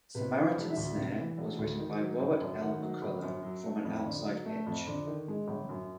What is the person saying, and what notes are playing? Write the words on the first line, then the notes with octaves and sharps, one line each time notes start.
"Samaritan Snare" was written by Robert L. McCullough from an outside pitch.
C3 B4
E3
B4
E1
E5
D2
C3
E3
E1
D2
D#3
F#3
G1
F#2
D#3 F#5
F#3
G1
F#2
F#3
A3
F2
D3
F#3
A3
F2
D3
D#3
G#3
G1
F#2